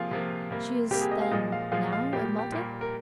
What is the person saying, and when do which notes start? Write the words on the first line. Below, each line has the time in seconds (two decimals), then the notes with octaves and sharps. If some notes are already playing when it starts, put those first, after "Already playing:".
"She is, then, now at Malta?"
Already playing: C3 F3 A#3 F4 G#4
0.11 C3 F3 A#3
0.51 C3 G3 A#3
0.91 C3 G3 A#3 G4
1.01 G#4
1.11 D#5
1.21 F5
1.31 A#2 F3 G#3 D#5
1.52 F5
1.72 A#2 F3 G#3 F5
1.93 F5
2.13 A#2 G3 A#3 G4
2.25 G4
2.39 G4
2.52 A#2 G3 A#3
2.81 A#4